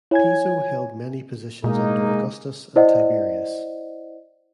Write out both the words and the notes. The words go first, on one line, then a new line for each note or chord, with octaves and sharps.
Piso held many positions under Augustus and Tiberius.
E4 C#5 G#5 G#6
B2 G#3 A#3 D#4
E4 C5 D5 D#5 F#5